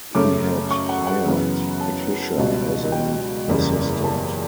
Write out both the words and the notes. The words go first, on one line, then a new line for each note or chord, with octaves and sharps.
He had hired Patricia as an assistant.
F#2 C#3 F#3 A3 D6
C#6
F#5
F#5
F#2 C#3 E3 B3
A5
C#2 B2 G3
G5
F#1 E2 C#3 G3
A5